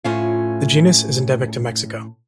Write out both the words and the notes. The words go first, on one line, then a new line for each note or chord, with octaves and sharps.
The genus is endemic to Mexico.
A2 C#4 F4